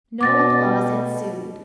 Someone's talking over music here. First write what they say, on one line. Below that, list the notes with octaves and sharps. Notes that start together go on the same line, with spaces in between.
No applause ensued.
B2 D6 A6 A#6